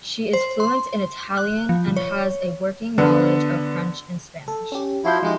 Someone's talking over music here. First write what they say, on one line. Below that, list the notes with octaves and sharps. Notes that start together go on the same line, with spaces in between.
She is fluent in Italian and has a working knowledge of French and Spanish.
C5
C6
F#6
F3
C#5
D3 B3
A4
C#4 G4
F3 E4 F#4 C6 G6
F3 G#3 D#4 G4